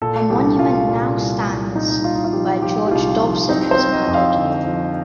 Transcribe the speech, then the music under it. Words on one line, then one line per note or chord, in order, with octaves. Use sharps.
A monument now stands where George Dobson was murdered.
A#2 A4
C2 G4
C2 F4
A#2
C2
C2
A#2 D#4
D#4
C2 F4
D#4
F4
F3 G4
F3 G4
G4
C2 F4
F3 F4
C4 D#4
C5
C4
D#5
F2
F5
D3
F3